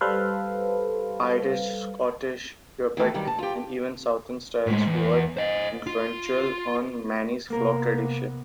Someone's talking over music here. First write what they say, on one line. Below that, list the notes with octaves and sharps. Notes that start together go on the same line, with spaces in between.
Irish, Scottish, Quebec, and even southern styles were influential on Maine's folk tradition.
G3 A4 B4 C5 F5
D#3 E3 A3 A4
D#3 F#3 G3
A5
F4 G4
A2 G#3
E2
C5 D#5
F4
C3 A#3 B3 A#4